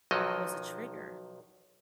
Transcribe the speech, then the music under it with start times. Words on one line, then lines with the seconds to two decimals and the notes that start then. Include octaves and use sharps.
was a trigger."
0.11 B1 D#3 F3 F#3 D#5